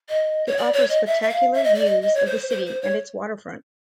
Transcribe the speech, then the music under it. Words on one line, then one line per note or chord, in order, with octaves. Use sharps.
It offers spectacular views of the city and its waterfront.
D#5
C#5
D5
C#5
D#5
E5
E5
F5
E5
D#5
D5
D#5
D#5
C#5
C5
C5
C5
C#5